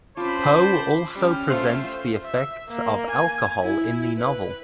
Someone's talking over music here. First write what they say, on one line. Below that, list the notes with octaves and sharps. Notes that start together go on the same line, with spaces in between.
Poe also presents the effects of alcohol in the novel.
C#4 F4 C5 A5 B5 D6
G3 C#4 F6
A3 F4 C5
E5
A#3
G#5
E4
B4